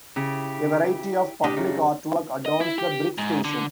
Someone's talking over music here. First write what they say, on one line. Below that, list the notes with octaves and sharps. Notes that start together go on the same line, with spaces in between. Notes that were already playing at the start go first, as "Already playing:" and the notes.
A variety of public artwork adorns the brick station.
C#3 E4 G4
A2 D4 G4 D#5
F#2 C#3 D4 D#4
D#5
E4
G4
G#2
D3